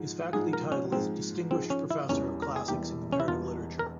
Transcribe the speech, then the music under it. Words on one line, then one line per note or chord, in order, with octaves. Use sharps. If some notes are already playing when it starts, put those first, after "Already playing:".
His faculty title is "Distinguished Professor of Classics and Comparative Literature".
Already playing: G#2 F3 G#3
G#2 F3 G#3 G#4
A#4
C#4
G#2 F3 G#3 C4
G#2 F3 G#3 C4
C#4
E4
E1 E2 E3 G3 C#4
A#4
G#4
E1 E2 E3 G3 G4
C#4
E4
E1 E2 E3 G3 F4
A#4